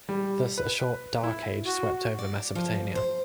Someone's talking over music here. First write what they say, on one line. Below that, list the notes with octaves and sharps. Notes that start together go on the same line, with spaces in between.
Thus, a short "dark age" swept over Mesopotamia.
G3
B4
E4
F#4
D5
F3
C5